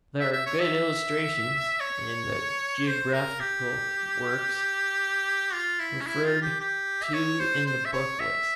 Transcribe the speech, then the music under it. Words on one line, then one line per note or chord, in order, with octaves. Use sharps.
There are good illustrations in the geographical works referred to in the book list.
E5
E5
C#5
E5
C#5
C5
A#4
G4
F4
E4
C#4
E4
F4
G4
G4
E5
C#5
C5
C5
E5
C#5
E5